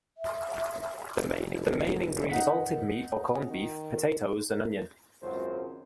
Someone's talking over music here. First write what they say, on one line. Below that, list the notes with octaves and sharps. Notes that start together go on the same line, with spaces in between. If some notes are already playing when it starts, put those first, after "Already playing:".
The main ingredients are salted meat or corned beef, potatoes, and onion.
E5
D#4 F#5 B6
D#3
G#1 C#2 F#2 C5